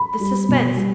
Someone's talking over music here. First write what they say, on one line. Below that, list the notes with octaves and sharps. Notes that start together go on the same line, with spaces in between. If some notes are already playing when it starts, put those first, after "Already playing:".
This suspense!
Already playing: B5
G3
B2
G3